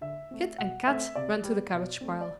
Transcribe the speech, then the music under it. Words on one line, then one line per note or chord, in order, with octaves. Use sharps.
Kit and Kat ran to the cabbage-pile.
D3 E5
A3 C4
B2 F#5
A3 C4 E5
C3 D5
G3 B3
B2
A3 C4
D5